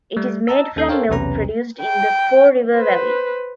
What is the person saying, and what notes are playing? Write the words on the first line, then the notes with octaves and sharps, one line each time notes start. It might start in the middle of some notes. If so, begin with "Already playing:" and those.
It is made from milk produced in the Po River valley.
G3 A3
D#5 A5 A#5 E6
D#2 C#4 A4 G6 C7
A4 A#4 C5 C#5 F5 G5
B1 E2 C3 C#4 B4 A#5
G5
B4 C5